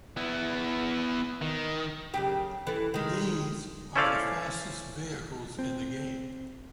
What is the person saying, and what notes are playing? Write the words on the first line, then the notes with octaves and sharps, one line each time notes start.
These are the fastest vehicles in the game.
B3 E4
D#3
F#2 C#3 G4
E3 A4
D#3 G#3
C#4 E4 A4 C5 D5 F5
C4